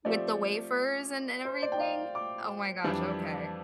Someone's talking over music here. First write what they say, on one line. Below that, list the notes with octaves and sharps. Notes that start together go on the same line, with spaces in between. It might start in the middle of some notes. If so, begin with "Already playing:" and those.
With the wafers, and and everything? Oh my gosh, okay.
F3 A3 C4 G4 D5
C5
D5
G5
F5
D6
F2 E3 G3 D4